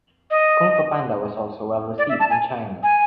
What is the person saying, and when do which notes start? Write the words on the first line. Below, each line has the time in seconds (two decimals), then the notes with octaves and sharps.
"Kung Fu Panda" was also well received in China.
0.31 D#5
1.98 D5
2.09 E5
2.20 A5
2.30 G#5
2.83 G#5